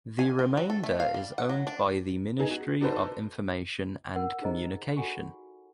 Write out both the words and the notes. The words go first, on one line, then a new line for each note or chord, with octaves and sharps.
The remainder is owned by the Ministry of Information and Communication.
G#5
C4
F#3
A4
A3
F5
G3
F#5
F#3
D4
B3 D#4 G#4
F#4
D4 D#4 F#4 A4 B4 C5
A#4 F#5
D#4 G#4 A4 C5 D#5 A#5
F4 F#4 A4 F#5 G#5 C#6